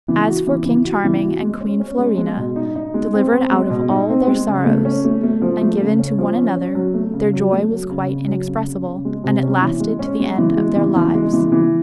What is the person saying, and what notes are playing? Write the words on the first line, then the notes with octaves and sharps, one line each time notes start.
As for King Charming and Queen Florina, delivered out of all their sorrows, and given to one another, their joy was quite inexpressible, and it lasted to the end of their lives.
E3
F#4
E3
E3
F#4
E3
F#4
G#3
C#4
C#4
G#3
G#3
B2
D#4
D#4
G#3
C4
C4
G#3
B2
D#4
C4
G#3
C#3
A3
C#4
A3
A3
F3
A3
C#3
C#4
F3
C#4
C#4
F#3
A3
C#3
F#3
A3
F#3
C#3
C#3
F#3
C#3
C#3
C#3
G#3
C3
C#4
E3
G#3
C#4
G#3
E3
G#3
E3
E3
G#3
E3
E3